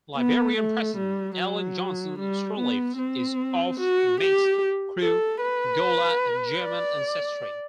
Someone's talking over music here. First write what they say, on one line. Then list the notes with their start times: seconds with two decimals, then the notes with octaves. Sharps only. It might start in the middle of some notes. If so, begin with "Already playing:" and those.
Liberian President Ellen Johnson Sirleaf is of mixed Kru, Gola, and German ancestry.
0.16 B3
0.57 A3
0.97 G3
1.37 F#3
2.19 G3
2.59 B3
2.98 C4
3.80 F#4
4.20 G4
5.02 A4
5.42 B4
6.63 D5